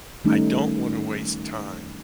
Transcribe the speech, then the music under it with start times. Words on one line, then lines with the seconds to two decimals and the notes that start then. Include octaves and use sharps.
"I don't want to waste time,"
0.25 D#3 G3 A3 C#4 D#4